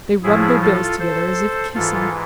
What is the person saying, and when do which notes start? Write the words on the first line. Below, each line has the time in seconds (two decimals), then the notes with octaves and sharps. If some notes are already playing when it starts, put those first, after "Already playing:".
They rubbed their bills together as if kissing.
0.23 A2 F3 E4 G#4
0.62 F4 A4
0.99 A4 C5
1.75 G#2 E3 F4 A4